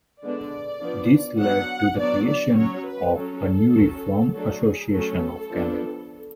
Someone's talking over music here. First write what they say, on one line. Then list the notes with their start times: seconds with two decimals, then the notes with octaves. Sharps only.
This led to the creation of a new "Reform Association of Canada".
0.22 D3 G#3 B3 D4 D5
0.81 F3 B3 D4
1.40 F#3 B3 D4 F#5
1.99 F#3 B3 D4 D5
2.29 D5
2.57 F#3 C#4 C#5
2.88 B4
3.17 F#3 C#4 A4
3.75 F#3 C#4
4.34 F#3 A3 D4 A4
4.63 G#4
4.93 F#3 A3 C#4 A4
5.52 F3 B3 D4